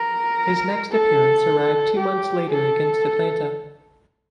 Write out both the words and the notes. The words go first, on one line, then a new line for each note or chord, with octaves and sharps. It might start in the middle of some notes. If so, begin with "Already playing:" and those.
His next appearance arrived two months later against Atlanta.
Already playing: A#4
A4
G4
A4